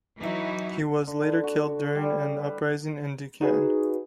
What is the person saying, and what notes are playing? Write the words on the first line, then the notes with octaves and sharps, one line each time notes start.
He was later killed during an uprising in Deccan.
E3 F#3 D#4 E4 F#4
D3
F#4
G3
B4
D#4 F#4 G#4 B4